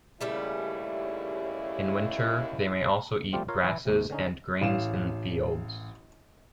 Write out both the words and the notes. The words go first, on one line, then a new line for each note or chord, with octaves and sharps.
In winter, they may also eat grasses and grains in fields.
D#2 C#3 G3 A3 C#4 E4
F3 G3 A3 C4 F4 G4
F4 A#4 C#5 F5
E3 E4
D#2 G#2 C3
D3 C#4 D#4
A1 F5 E7